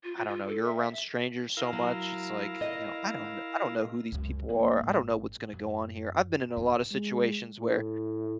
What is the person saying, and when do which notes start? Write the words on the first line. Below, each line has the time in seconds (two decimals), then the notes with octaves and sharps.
I don't know, you're around strangers so much. It's like, you know, "I don't know I don't know who these people are. I don't know what's gonna go on here." I've been in a lotta situations where
0.04 F4
0.16 F4
0.28 F4
0.47 A4
0.64 E5
0.77 E5
1.57 E4 A#4 F5
1.73 F#3
2.61 D#5
4.12 C#2 F#2
4.49 F#3 A#3
4.80 G#1
5.53 F#2
6.57 E2 D#3
6.91 G#3
7.59 A2